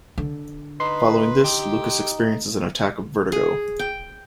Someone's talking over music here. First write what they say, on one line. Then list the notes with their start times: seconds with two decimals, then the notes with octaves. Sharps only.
Following this, Lucas experiences an attack of vertigo.
0.18 D3
0.80 D#4 B4 C6
1.44 D#4 G4
3.32 G#4
3.79 G5